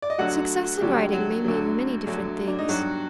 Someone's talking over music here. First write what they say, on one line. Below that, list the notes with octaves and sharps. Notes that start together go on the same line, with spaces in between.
Success in writing may mean many different things.
D5
D#5
D2 D3 F#3 F#4 F#5
D2 D3 F#3 G3 G4
F#3 F#4
D2 D3 F#3
D2 D3 F#3
D4
D#4
G2 F#3 F#4